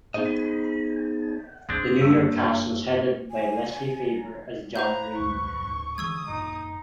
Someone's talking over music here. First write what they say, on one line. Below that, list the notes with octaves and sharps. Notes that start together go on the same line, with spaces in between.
The New York cast was headed by Leslie Faber as John Rhead.
B3 D#4 G#4 C5 D#5
F#2 G#3 B3 C4 D4
G2 A#3 E6
G#5
B4 C5 F5 A#5 G6
D1 B1 F#2 C#6
D1 G#2
D3 E3 G#3 C#6 D#6 E6 G#6
G#1 F#2 A#2 D#4